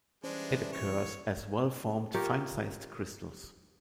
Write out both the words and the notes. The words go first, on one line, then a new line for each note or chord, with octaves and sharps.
It occurs as well-formed fine-sized crystals.
E3 G3 G#3 C#4 D4 C5
C#5
F4 G4 A#4 C#5